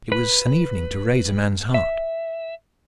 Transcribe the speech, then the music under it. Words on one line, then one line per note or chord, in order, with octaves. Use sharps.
It was an evening to raise a man's heart.
B4
E5